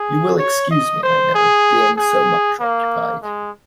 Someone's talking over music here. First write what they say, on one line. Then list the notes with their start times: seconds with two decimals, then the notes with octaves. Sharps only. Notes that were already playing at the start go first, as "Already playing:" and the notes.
You will excuse me, I know, being so much occupied.
Already playing: G#4
0.39 C#5
0.71 D#5
1.03 C5
1.34 G#4
1.97 G#4
2.60 A#3
3.22 G#3